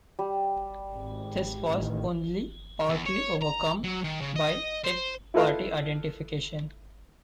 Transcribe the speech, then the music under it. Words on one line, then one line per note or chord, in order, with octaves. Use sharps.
This was only partly overcome by Tip Party Identification.
G3
G#1
A1 D#3
E2
C#5
A#5
F#3
D#3
C#3
D#5
C5
E4 F4 A4 B4 D#5 F5